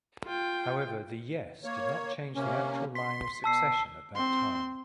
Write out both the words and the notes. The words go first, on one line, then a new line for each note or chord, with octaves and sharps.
However, the 'yes' did not change the actual line of succession at that time.
F4 G5
A#3 C#5
C3 A#3 C#4
C6 B6
B2 A5 E6 C7
C4 C6